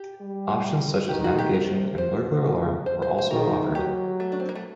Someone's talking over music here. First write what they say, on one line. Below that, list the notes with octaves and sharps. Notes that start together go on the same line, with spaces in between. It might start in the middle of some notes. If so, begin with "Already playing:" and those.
Options such as navigation and burglar alarm were also offered.
Already playing: G4
G3
D#3 G4
F#4
G4
C3 A#4
C5
C5
C5
C5
D#3 A#4
F#3 G4
A3
D4
C4
A#3
A3